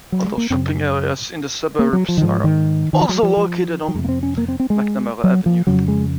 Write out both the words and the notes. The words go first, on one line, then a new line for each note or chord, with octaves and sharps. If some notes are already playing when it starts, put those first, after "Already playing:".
Other shopping areas in the suburb are also located on McNamara Avenue.
F#3
G#3
A#3
F#2 C#3 C4
A#3
F#3
F3
D#3
G#2 F3
D#3
D#3
F3
F#3
F3
F3
F#3
F2 C3 G#3
A#3
C4
C#4
A#3
C4
C4
G#3
F#3
F3
F2 C#3 F#3
G#3